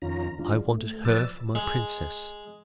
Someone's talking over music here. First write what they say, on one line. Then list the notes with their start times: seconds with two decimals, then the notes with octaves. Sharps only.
I wanted her for my princess.
0.02 F2 D#3 C#4 F4 A#5
0.39 E3 G#3 D4 F4
0.69 A3
1.05 F3 B4 D5 E6 A6
1.55 G#3